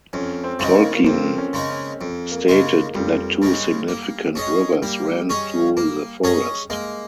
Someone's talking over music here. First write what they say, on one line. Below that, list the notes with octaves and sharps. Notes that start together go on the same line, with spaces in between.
Tolkien stated that two significant rivers ran through the forest.
F2 C#4
C4
C#3 G#3 D#4
A#3
F2 C4
C#4
C#3 G#3 D#4
C#4
F2
A#3
C#3 G#3 D#4
A#3
F2 G3
C#3 G#3 D#4
A#3
C#4 G#4 D#5
G3 A#3
C#4 G#4 D#5
A#3
C#4 G#4 D#5
G#3 A#3